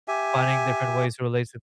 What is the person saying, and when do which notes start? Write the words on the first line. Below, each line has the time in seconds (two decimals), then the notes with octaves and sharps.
finding different ways to relate to
0.08 G4 E5 G#5